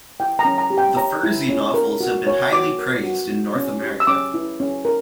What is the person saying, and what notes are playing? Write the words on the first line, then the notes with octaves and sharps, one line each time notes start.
The Fursey novels have been highly praised in North America.
E4 G5
A#5
C#4
A#5
G4
G5
C#5 A#5
E4
C#4
A#4
F#4
C#5
F#4 D6
A#4
F#4
E4
C#4
G4
E6
C#4 D6
E4
C#4
A#4